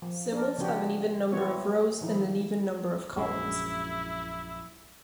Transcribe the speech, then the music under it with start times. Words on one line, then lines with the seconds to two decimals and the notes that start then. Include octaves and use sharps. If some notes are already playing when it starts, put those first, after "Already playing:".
Symbols have an even number of rows and an even number of columns.
0.02 F3
0.32 D4 A#4
0.58 C#3 F3 B3 D4 F#4 G4
1.32 E3 B3 C4 F#4 C#5
2.01 D#3 F3 D#4 E4
3.17 A#1 F#2 G#3 E4